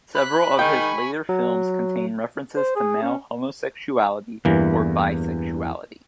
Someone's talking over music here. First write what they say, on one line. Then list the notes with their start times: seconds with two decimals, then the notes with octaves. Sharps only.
Several of his later films contain references to male homosexuality or bisexuality.
0.15 B5 F#6
0.59 D#3 G#3 D#4 G5 G#5 C#6
1.29 F#3
2.56 C5
2.76 G#4
3.02 C#4
4.45 E2 G2 E3 A#3